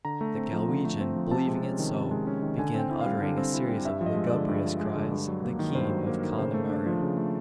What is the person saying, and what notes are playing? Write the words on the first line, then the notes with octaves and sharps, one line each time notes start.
The Galwegian, believing it so, began uttering a series of lugubrious cries--the "keen" of Connemara.
D3 A#5
A3
C4
F3
D3
A3
C4
F3
C3 A5
G#3
C#4
D#3
C3
G#3
C#4
D#3
D3 G#5
C4 G5
E4
F5
G3
D3 F5
C4
E4
G3
G2 E5
F3
D#5
G#3
D5
D3
G2
F3
G#3
D3
G2
F#3
A#3
D#3
G2 C5
F#3
A#3
D#3
C#3 C5
A3
D4
F3
C#3
A3